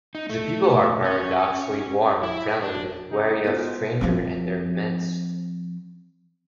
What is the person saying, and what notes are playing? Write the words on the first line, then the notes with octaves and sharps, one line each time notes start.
The people are paradoxically warm and friendly yet wary of strangers in their midst.
D#4
A3
C#4
E4
D4
C#3 D#4
B3 D#4 F4 F#4 A4 A#4 C5 C#5
F3 C4